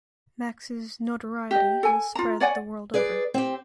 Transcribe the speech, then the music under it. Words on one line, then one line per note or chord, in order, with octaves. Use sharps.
Max’s notoriety has spread the world over.
G4 D#5
A4 G#5
F4 A#5
C#5 D5 F#5 G#5
G#4 B4 D5
C4 G4